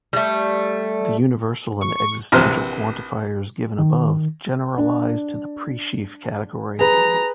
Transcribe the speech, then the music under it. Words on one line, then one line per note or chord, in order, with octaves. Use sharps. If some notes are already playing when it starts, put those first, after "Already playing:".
The universal and existential quantifiers given above generalize to the presheaf category.
G3 A3
C#6
A#1 C3 E3 B4 C5 F6
D#3
D4
G#4 B4 A#5